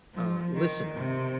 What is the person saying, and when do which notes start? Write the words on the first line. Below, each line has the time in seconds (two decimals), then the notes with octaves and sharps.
uh, listener?"
0.15 F3
0.54 D#3
0.94 C3